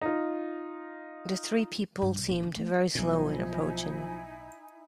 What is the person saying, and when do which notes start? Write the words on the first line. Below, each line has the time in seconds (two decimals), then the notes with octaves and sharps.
The three people seemed very slow in approaching.
0.01 D#4 F4
2.02 G2
2.16 B1
2.29 A#1
2.43 D3
2.56 A3
2.95 B1 A2 F3 D#4 E4 G#5